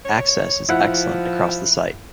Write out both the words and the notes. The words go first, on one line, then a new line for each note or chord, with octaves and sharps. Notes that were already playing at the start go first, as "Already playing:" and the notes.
Access is excellent across the site.
C#5
F3 E4 F#5